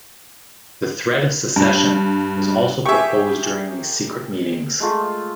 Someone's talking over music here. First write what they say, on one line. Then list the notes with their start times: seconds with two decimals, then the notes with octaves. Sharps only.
The threat of secession was also proposed during these secret meetings.
1.56 G2
2.85 G4 G#4 A#4 E5 G#5 C#6
4.80 G#3 A3 F4